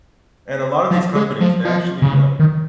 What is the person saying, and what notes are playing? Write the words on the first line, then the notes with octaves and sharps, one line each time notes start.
and a lot of these companies, they actually, um,
F3
G#3
F3
F3
C#3
D#3